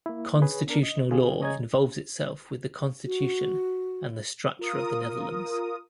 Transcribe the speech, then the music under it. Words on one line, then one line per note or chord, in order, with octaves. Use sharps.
Constitutional law involves itself with the constitution and the structure of the Netherlands.
A#3 E4
G#4 B4 C#5
B3 D4 A#4
D#5
D3 C4 F4 G4 G#4
C#3 C#5 D#5 G#5 A#5 G#6
F#4
F4 A#4 D#6